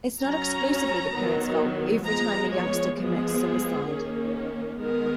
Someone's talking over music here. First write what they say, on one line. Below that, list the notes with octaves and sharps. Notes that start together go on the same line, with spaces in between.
It's not exclusively the parents' fault every time a youngster commits suicide.
F#3 C#4 A#5
D#3 F#3 B3
F3 G#3 B3 A#5
C#5
F3 G#3 B3 G#4
D#3 A#3 C#4
D#3 G#3 B3 A#4